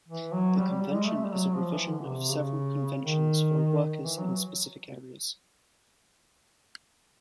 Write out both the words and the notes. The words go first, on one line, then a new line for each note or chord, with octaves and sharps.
The convention is a revision of several conventions for workers in specific areas.
E3
F#3
G3
G3
G3
G#3
A3
G3
F#3
F3
E3
D3
C3
C#3
D#3
E3
F#3